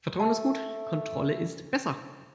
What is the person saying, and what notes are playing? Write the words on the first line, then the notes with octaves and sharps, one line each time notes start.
Vertrauen ist gut, Kontrolle ist besser.
A3 A5